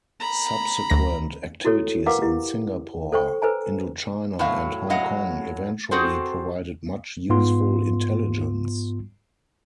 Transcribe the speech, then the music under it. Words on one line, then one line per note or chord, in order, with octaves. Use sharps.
Subsequent activities in Singapore, Indo-China and Hong Kong eventually provided much useful intelligence.
A#5 B5
D2 A#6
E4 F#4 A4 C#5
A#4 B4 F5 F#5 A#5 D6
E4 G4
A4 C5 G5 C#6
A4 B4 C5 G#5 A#5
A2 F#3 F#4 F5
A2 F#3 D#5 F5 F#5
C4 F#4 G#4 A4 C5
G#2 B3 F4 C6